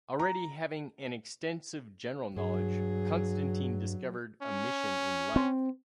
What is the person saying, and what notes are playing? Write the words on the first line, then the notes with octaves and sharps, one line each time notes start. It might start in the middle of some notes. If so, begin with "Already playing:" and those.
Already having an extensive general knowledge, Constantine discovered a mission in life.
A#5
G2 F#3 G#4
C#4
C4